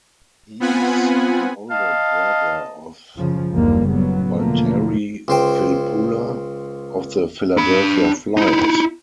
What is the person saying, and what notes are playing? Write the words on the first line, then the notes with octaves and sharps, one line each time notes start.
He is the older brother of Valtteri Filppula of the Philadelphia Flyers.
B3 C4 F4 F#5 G#5 B5
D#5 F5 A5
F#2 C#3 F3
F#1 D#2 D3 F3 G3 A#3
A2 C#3 F#3 B3
E2 B2 D3 F3 A3 A#3
C#2 C5 G5
D4 B5
D#4 E4